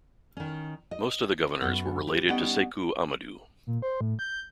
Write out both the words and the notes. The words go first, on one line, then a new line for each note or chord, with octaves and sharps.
Most of the governors were related to Seku Amadu.
D#3 C#4
D#5
F#2 B3
G4
G3 B3 C#4 D#4 F#5 G5
A#2
C5
A2
G6